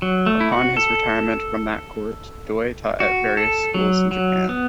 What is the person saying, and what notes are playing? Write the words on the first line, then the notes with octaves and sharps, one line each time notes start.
Upon his retirement from that court, Doi taught at various schools in Japan.
F#3
A3
E4
F#4
A4
F#4
A4
F#3
F#3
B3